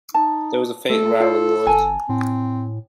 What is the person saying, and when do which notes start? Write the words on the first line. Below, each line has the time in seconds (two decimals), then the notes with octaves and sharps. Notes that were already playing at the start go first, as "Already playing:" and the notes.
There was a faint rattling noise.
0.14 D#4 A5
0.90 A3 A4
1.20 F4 C5 D5 F5
1.67 G1 G#5 A5
2.09 A2 C4